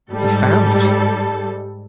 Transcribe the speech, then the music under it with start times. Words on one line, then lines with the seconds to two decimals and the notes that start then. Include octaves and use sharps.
He found it.
0.11 G#2 G3 A4